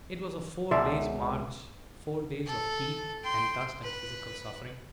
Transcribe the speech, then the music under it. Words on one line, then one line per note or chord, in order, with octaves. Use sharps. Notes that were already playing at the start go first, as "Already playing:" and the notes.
It was a four days' march--four days of heat and dust and physical suffering.
C#2 B2 D5 E5 C6
A4
G5 C6
B4